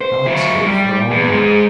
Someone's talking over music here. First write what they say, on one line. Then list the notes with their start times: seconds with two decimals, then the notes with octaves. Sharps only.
'I'll ask it for all that.
0.01 C5
0.26 F#3 E4
0.66 G3
1.11 E2
1.31 G#2 G#3